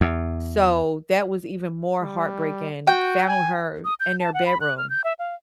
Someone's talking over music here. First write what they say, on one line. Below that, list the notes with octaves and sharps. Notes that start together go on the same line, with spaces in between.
so that was even more heartbreaking, found her in their bedroom.
E2
G3
F#4 G5
G#5
D#6
G6
A5
F#5
B5
F#6
F6
G6
E5
F5